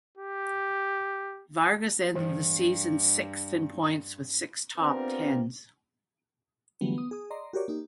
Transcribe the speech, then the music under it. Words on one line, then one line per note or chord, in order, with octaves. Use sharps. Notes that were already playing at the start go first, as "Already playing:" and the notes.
Vargas ended the season sixth in points with six top tens.
G4
G2 E3
B3 C4 D4 F4 G4 A#4
D3 E3 F#3 G3 A3 B3
B3 D#6
G#4 D#6
D5 D#5 A#5 C6
F#4 G4 A#4 C#5 D5
A#3 D#4 G4